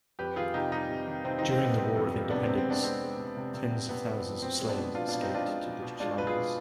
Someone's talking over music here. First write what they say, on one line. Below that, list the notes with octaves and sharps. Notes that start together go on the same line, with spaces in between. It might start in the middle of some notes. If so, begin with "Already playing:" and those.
During the War of Independence, tens of thousands of slaves escaped to British lines.
F2 G4 B4
D#3 F4 G#4
C3 D#4 G4
G3 D#4 G4
C3
D#3
C3 C4 D#4
D#3 C4 D#4
C4
D#3 B3
G3 C4
F2
G3
C3 B3 D4
C4
C3
C4
G#3 B3 D4
G#3 C4
G#3
C3
C3
C3
C3
C3 B3
G#3
F3
B2 C4
G#3
B3 D4
B2
B2 D4 F4
B2 D4 F4
C4 D#4
B2 D4 F4
G#3
B2
B2
G#3 D4 F4
B2 B4
F4 G#4
B2